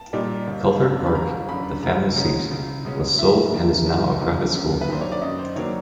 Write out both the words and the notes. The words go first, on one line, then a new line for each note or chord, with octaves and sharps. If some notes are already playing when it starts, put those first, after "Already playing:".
Culford Park, the family seat, was sold and is now a private school.
Already playing: A5
A#2 G3 A#3 D#4
G1
F#2 D3
B5
G1 A#5
F#2 D3 B5
C#2 A#5
B2 G#3 C#4
C#2
B2 G#3 C#4
D#2 E5
D3 F3 A#3
D#2
D3 F3 A#3
F#2
B4
D#3 F#3 A#3 D4 C5
C#5
D5
F#2 D#5
C5
D#3 F#3 A#3 D4 C#5